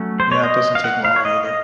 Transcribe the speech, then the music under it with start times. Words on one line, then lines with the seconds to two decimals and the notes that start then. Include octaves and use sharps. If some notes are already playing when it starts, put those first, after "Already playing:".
Yeah, it doesn't take long, either.
Already playing: F#3 A3 C#4
0.20 C5
0.32 C#5
0.44 D#5
0.75 F5
0.84 F#5
1.05 F5
1.16 C#5
1.25 D#5
1.45 D#5